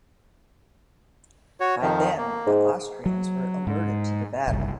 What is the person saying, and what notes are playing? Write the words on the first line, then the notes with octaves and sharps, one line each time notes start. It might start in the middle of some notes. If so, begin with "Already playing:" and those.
By then the Austrians were alerted to the battle.
F#4 C#5
F2 D#3 F3
A#3
G#2
F#3
G#2
F#1 C2